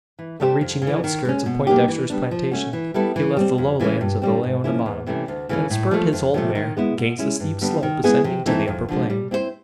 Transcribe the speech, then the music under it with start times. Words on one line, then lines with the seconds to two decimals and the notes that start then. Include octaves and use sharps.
On reaching the outskirts of Poindexter's plantation, he left the low lands of the Leona bottom, and spurred his old mare 'gainst the steep slope ascending to the upper plain.
0.19 E3
0.40 A3 D4 G4 C5
0.61 F2
0.82 C#3
0.87 E3
1.04 D#3
1.25 G#3 C#4
1.46 B2
1.67 F#3 A#3 D#4 G4
1.88 E3
2.10 G3 B3 D4
2.31 F3
2.51 A3 C#4 F#4
2.73 E3
2.94 G3 B3 E4 A4
3.16 E3
3.37 G3 C4
3.58 F2
3.80 C#3 E3 G#3 C#4
4.01 G2
4.22 D3 G3 C4
4.43 G#2
4.64 F3 A#3 C#4 E4
4.86 E2
5.06 C3 E3 A3 C#4
5.28 D2
5.49 C#3 E3 A3 C#4
5.70 A2
5.91 F3 A3
6.13 F2
6.34 C3 F3 A3
6.55 D#3
6.77 G#3 B3 E4
6.97 B2
7.19 G#3 C#4 E4
7.40 G2
7.61 D3 G3 B3 D4
7.83 D#3
8.04 G#3 B3 E4 G#4
8.24 C3
8.46 E3 A3 C4 D#4
8.68 F2
8.88 D3 F3 G#3
9.10 G3
9.31 C4 E4 G4 C5